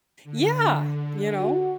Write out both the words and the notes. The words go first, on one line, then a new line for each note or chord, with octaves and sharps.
Yeah, you know?
D3
F#4